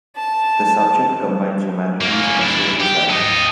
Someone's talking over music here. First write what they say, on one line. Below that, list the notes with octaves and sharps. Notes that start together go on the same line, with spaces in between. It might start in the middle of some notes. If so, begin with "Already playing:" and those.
The subject combines humanities and social sciences.
A5
A#3 C#4
D4 E4
G4
A4 D#5